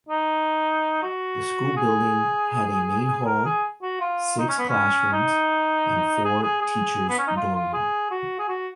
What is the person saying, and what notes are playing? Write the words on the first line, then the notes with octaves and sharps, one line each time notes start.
The school building had a main hall, six classrooms and four teachers dorm room.
D#4
F#4
G#4
A#4
G#4
F#4
F4
D#4
C#4
B3
C#4
D#4
G#4
G#4
G#4
B3
C#4
D#4
F4
F4
G#4
F#4
G#4
F#4